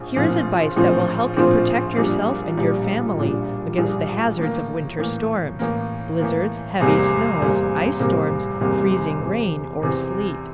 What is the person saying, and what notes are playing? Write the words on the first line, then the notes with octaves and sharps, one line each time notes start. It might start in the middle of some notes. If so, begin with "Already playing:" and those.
Here is advice that will help you protect yourself and your family against the hazards of winter storms--blizzards, heavy snows, ice storms, freezing rain, or sleet.
Already playing: A#1 A2
A#1 A2 F3 C4 F4
A#1 A2 F3 C4 F4
A#1 A2 F3 C4 F4
A#1 A#2 G3 D4
A#1 A#2 G3 D4
A#1 A#2 G3 D4
A#1 A#2 G3 D4
A2 E3 A#3
A2 E3 A#3
A2 E3 A#3
A2 E3 A#3
F1 E2 C3 G3 A#3
F1 E2 C3 G3 A#3
F1 E2 C3 G3 A#3
F1 E2 C3 G3 A#3
E2 C3 E3
E2 C3 E3